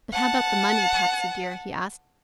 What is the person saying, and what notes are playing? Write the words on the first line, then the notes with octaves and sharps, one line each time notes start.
"But how about the money, Patsy dear?" he asked.
F#5 A5